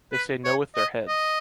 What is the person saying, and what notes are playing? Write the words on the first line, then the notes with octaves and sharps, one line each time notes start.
They say no with their heads.
B4
C#5
D#5
D#5